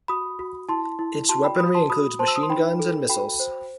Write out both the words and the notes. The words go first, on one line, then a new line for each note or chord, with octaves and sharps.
Its weaponry includes machine guns and missiles.
F#4 B5 D#6
F#4
E4 A5 C6
E4
F#4 A5 C6
G5 B5
F#4 B5 D#6
A5 C6
F#4 B5 D#6
C5 A5 C6
E6
D#6
C6
D#4 G5 B5
A4
F#4 G5 B5
C5